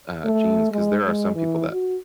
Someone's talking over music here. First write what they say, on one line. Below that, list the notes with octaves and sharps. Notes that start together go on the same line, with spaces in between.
uh, genes 'cause there are some people that
A3
G#3
G#3
E3
F#4